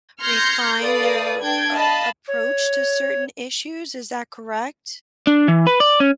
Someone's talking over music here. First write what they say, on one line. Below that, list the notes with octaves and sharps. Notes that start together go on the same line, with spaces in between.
refine their a approach to certain issues, is that correct?
C6 F6 G6 G#6 A#6 C#7
A4 B4 D5 F5 D#6
D4 G5 G#6
D#5 F5 A5 B5
C#5
D4
E3
B4
D5
C#4